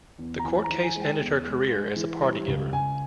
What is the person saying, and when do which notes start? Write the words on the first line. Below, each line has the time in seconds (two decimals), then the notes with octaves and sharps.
The court case ended her career as a party giver.
0.19 E2
0.39 A#5
0.44 E3 G#5
0.64 A#5
0.70 E3
0.83 G#5
0.96 G#3
1.01 G5
1.20 E2
1.46 G#3
1.71 G#3
1.96 E3
2.22 G3
2.48 C#2
2.73 C#2 G#5